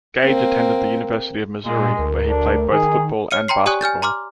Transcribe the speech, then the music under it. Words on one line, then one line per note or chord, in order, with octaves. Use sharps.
Gage attended the University of Missouri where he played both football and basketball.
A#3 C4
A#2 G#3
D2 A#4
D4
D#3 G#4
C#5 F6 C#7 D#7
G5 A#5 C6 C7
G4 D5 G#5 C#6 D#6 F#6
G#5 F6 G6 A6
A#5 C6 D6 F6